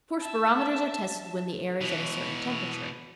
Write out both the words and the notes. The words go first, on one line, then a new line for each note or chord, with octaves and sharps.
Of course barometers are tested when the air is at a certain temperature.
E5 A5
B2 E3